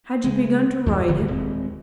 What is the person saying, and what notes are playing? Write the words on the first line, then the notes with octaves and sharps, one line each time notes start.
Had you begun to write it?
C#3 G#3
F2 A2 E3 F#3
D1 G1 D#2 D3
D#1 G#3 C4